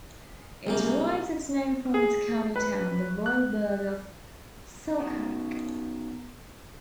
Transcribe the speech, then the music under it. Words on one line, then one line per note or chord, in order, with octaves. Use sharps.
It derives its name from its county town, the Royal burgh of Selkirk.
C2 F#2 G3 G#3 A#3 B3
G#4
B4
F#6
B2 D#3